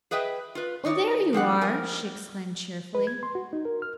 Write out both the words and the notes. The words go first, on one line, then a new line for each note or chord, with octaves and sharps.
"Oh, there you are!" she exclaimed cheerfully.
G#4 B4 D#5 E5 G5
F4 B4
D#3 D#4 C#5 D5
F3 C4 D4 F#5
F3 A#4 G#5
B4
G#6
C6
F#4
D#4
A#4
F6